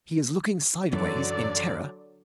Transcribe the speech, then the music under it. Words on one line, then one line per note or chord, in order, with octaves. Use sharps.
He is looking sideways in terror.
F#2 D3 E3 F#3 D5